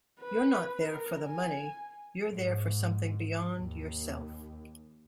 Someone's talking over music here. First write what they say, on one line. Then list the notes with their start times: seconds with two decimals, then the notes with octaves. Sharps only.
You're not there for the money, you're there for something beyond yourself.
0.21 B4
0.81 A#4
1.26 G#5
2.31 G#2
3.60 D#2